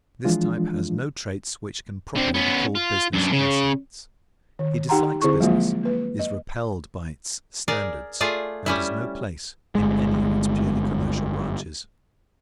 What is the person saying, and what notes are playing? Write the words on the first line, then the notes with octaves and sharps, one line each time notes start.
This type has no traits which can properly be called business assets. He dislikes business, is repelled by its standards and has no place in any of its purely commercial branches.
E3 F3 G#3 D4 F4
D3 C4
B3 C#4
F4
F#2 D4
C#3
D#3
D#4 G4 F#5 G5 A#5 C6
D3 C4 E4 G#4 C#6
F3 F#3 G#3 A#3 F4 F#4
A#3 B4
D#5
G#4 A#4 D5
A3 F4 G#4 D5
G3 C#4 E4
G1 G#3